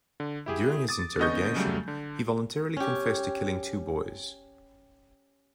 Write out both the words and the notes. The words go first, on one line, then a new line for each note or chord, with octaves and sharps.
During his interrogation, he voluntarily confessed to killing two boys.
D3
E4 G4 G#4
D6 D#6 A6
D3 B3 C#4 D#5 C#6 G6
C#3 F#3 G3 A3
D3
C#4 G4